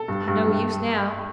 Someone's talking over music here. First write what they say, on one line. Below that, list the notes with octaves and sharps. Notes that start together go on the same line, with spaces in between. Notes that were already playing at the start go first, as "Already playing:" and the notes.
No use now.
Already playing: A4
G2
G2
G2